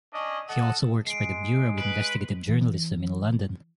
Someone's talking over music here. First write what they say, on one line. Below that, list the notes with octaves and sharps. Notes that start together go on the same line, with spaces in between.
He also works for the Bureau of Investigative Journalism in London.
C#4 D4 D#5
A4 D#5 F#5
G#3 C7 D7
B4 D7
E3